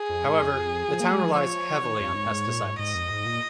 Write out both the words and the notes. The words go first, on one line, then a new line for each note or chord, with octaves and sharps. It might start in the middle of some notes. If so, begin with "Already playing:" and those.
However the town relies heavily on pesticides.
Already playing: G#4
F2
G#2
F2
F3
A#3
G#3
F3
C#5
D#3
F2
G#2
G#2
A#2
G#2
G#2 D#5
F2
G#2
A#2